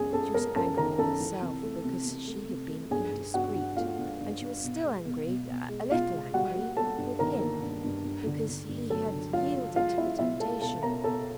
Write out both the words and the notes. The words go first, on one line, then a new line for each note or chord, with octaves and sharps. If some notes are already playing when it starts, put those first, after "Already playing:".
She was angry with herself because she had been indiscreet, and she was still angry,--a little angry with him,--because he had yielded to the temptation.
Already playing: F#2 G#3 G#4 G#5
F#2 A4 A5
G#3 A#4 A#5
F#2 A4 A5
D#3 A#4 A#5
F#2 A4 A5
E3
C3
A3
C3
C3
A3
C3
A3
G2 G#4 G#5
G2
G2 F#4 F#5
G2
A3 F4 F5
G2
G2
G2
B2
G#3
B2
B2
B2
G#3
B2 F4 F5
G#3
G3 F#4 F#5
A#3
G3 A4 A5
G2
D#3 A#4 A#5
A#3
G2
G2
G2
D3
D3
G2
F#3 A4 A5
D3
F#3 F4 F5
F#3
G#3 F4 F5
G#3 E4 E5
B2 E4 E5
G#3 A4 A5
B2 A4 A5
B2 A#4 A#5
B2 A4 A5